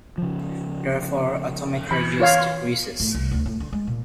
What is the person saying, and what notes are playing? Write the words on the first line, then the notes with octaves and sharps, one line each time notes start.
Therefore, atomic radius decreases.
C#3 F3
E3 B5
F4 C#5 F5
A2
C2
D2
A2
D3
G#3
A#2